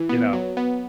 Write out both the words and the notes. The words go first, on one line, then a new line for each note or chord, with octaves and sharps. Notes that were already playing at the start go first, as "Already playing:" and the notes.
you know?
Already playing: E3
B3
F#3
B3